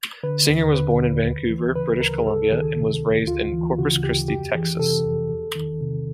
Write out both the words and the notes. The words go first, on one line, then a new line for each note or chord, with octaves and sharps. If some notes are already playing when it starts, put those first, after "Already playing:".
Singer was born in Vancouver, British Columbia and was raised in Corpus Christi, Texas.
D3 B4
D#2
D3 B4
D#2
D2
E3
C#3 B4
D2 A#4
G#4
C2 A4
D#3 G#4
C3
C2
D2 F4
E3
C#3 F#4
D2 G4
F2 G4
E3 G#4
C3 A4
F2
E2
D#3
C3